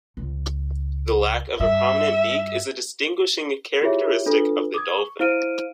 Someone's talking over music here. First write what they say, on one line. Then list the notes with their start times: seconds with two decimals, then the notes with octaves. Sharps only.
The lack of a prominent beak is a distinguishing characteristic of the dolphin.
0.17 C#2
1.60 G2 E5
3.82 E4 F4 G4 G#4 C#5 E5
4.26 D4 F4 A4 B4
4.74 D6 D#6 G#6
4.98 C#6
5.20 E4 C5 F5 F6 D7 D#7